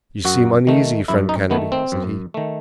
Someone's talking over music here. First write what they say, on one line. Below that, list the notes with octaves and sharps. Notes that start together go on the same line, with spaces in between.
"You seem uneasy, friend Kennedy," said he.
F#2 F#4
D#3 A3
F#2 E4
D#4
D#3 A3 B3
C4
F#2
D#3 A3